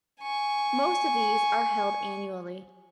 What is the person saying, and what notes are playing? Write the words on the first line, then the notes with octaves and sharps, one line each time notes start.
Most of these are held annually.
G#5 C#6